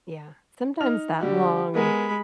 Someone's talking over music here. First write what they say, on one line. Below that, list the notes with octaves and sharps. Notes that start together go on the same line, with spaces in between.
Yeah. Sometimes that long
D#4 F6 F7
D3 G3 F#4 G4
G#3 B3 A#4 G#5 B5